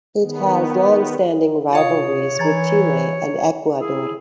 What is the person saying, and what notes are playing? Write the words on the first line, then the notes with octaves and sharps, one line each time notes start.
It has longstanding rivalries with Chile and Ecuador.
D#3 B3
C3 F4 C#5 F5 D#6
E3 A#5 G#6 A6
E4 G#4